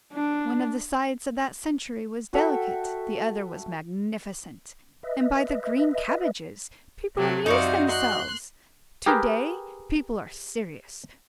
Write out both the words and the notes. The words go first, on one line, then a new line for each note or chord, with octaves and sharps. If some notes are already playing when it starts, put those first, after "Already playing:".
One of the sides of that century was delicate, the other was magnificent; and by the green cabbages! people amused themselves. To-day, people are serious.
D4
F#4 A4 E5 G5
B4 D#5 E5
C3 F#3 A3
F#2 C3 D#4 F#4 D5 F5
C6 F#6
G4 G#4 A#4 B4 G5